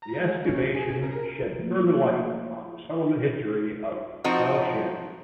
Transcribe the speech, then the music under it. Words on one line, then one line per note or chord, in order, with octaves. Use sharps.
The excavation shed further light on the settlement history of Tel Shem.
A#5
G#3
C#4
G#4
A#4
F3 A3 A#3
F3 C4 D#4 F#4